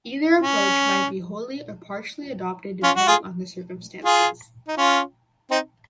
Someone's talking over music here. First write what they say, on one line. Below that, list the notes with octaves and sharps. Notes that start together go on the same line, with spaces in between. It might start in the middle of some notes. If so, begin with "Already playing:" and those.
Either approach might be wholly or partially adopted depending on the circumstances.
C#4
C#4 F4
F#4
F4 G#4
F4 G#4
D#4
C#4 F4
C4 D#4